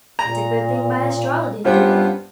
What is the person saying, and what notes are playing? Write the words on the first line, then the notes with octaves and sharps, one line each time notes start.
It's a good thing my Estralla didn't do that!
A#2 A#5
G2 B3 C#4 F4 G4 C5